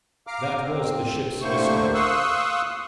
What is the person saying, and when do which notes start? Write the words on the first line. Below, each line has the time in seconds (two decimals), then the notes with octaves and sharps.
That was the ship's mystery.
0.27 F5 A#5 D6 F6
0.60 C4
1.42 A2 D3 A3 A#3 C5 C#6
1.94 F5 C6 C#6 D#6 E6 F#6